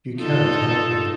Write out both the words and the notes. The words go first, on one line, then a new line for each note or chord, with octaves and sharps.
You cannot help me.
D#4 F4 A4